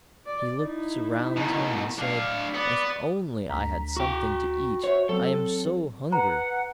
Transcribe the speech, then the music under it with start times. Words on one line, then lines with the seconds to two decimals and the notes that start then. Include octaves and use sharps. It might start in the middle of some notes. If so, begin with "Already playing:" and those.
He looked around him and said: 'If only I had something to eat; I am so hungry.
0.25 D5
0.60 D#4 E4
1.37 B2 D#3
1.99 D4 F5
2.54 B3 D5
3.49 D2 A#5 B6
3.97 F#4 G5
4.84 F#4 C5 C#5 E5
5.09 F#3 C4 A4
6.12 B4 F#5 A#5